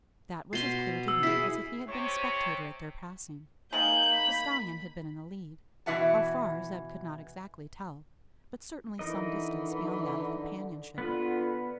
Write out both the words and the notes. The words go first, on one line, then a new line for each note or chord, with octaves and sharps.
That was as clear to him, as if he had been a spectator at their passing. The stallion had been in the lead,--how far Zeb could not exactly tell; but certainly some distance beyond that of companionship.
B2 C6 C7
E6
E4 G#4 B6
C3 C#5
D#3 G#3 A#3 G6 F#7
B5
B2 E3 F#4 E5 F#5 A5
D3 E3 D#4 A#4 D#5
D3 B3 F4 B4